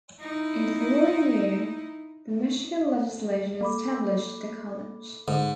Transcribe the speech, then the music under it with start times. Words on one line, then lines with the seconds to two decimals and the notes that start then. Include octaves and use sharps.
In the following year the Michigan Legislature established the college.
0.20 D#4 E4
3.61 A#3 A4 B5 D6
5.28 G#2 D3